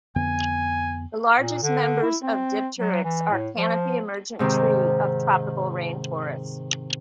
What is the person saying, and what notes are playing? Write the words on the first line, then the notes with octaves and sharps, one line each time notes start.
The largest members of "Dipteryx" are canopy-emergent tree of tropical rainforests.
F2 D3 B3 G#5
A#2
D3
E4
C4
F#3
E3
A2
F3
G#2 C3 D#3